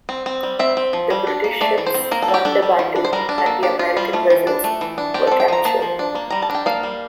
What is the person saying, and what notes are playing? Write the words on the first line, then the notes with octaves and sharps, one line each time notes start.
The British ships won the battle, and the American vessels were captured.
C4
C4
G3
C4 E5
C4
F3
G3
D4
A#3
A3 D5
E3
C5
C4
A#3 A#4
A4
G3
G4
D4 A4
G3
E3
D4
C5
G3 A#4
D4
A4
A#3
D4 G4
D4 F4
G3 F4
A3 F4
E3
D4
A3
E3
D4
C4 G4
C4 A4
G5
F3 A#5
A#3 A5
F3
D4
A#3
G3 A#5
A5
D4
G5
A#3 F5
G3